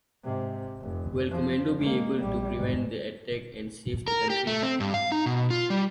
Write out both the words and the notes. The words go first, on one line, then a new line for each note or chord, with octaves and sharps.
Will Commando be able to prevent the attack and save the country?
G#2 C3
F1
F3
G#3 A#3
A#1 G3
G#2
A#4
G4
A3
C4
G2
F5
D#4
B2
F4
G3